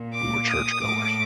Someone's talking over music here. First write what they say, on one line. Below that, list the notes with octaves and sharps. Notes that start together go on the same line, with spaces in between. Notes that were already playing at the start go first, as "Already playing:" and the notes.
we were churchgoers
Already playing: A#2
D6
D#6
A2 D6